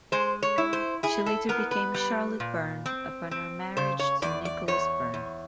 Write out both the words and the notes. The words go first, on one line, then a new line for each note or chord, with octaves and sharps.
She later became Charlotte Byrne upon her marriage to Nicholas Byrne.
G#3 C5
C#5
E4
C5
E4 G#4
A4
B3 A#4
B4
G3
A#2
C4
C4
C#3 C5
C#5
E2 D5
D5
E2 C#5
E2